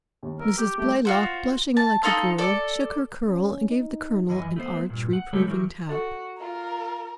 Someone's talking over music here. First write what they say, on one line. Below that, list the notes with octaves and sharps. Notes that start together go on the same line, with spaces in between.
Mrs. Blaylock, blushing like a girl, shook her curl and gave the Colonel an arch, reproving tap.
D#2
A#4 E6
G4
G3 A3 G4
F4 F#4 C5
A5
D#4 A4 F5 C6
A4 D5
C#4
D#4
F#2 E3 D#5 G#5
A3 B3 C5
G2 A#2
F#5
C#3 G3 G#3 G4 A4 C#5
E3 F#3 F#4 G4 A#4
F#4 A4
F4 A#4